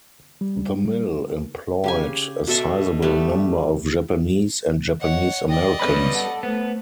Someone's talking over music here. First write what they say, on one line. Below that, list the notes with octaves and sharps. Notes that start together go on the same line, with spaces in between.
The mill employed a sizeable number of Japanese and Japanese Americans.
G3
C#3 G4 G#5
B2 A4 E5
G3 A3 B3
C#5 D#5 F#5
D5 D#5 G5
G3 B3 C#4 B4 C#5 B5
A4 F#5
A3 B3 C5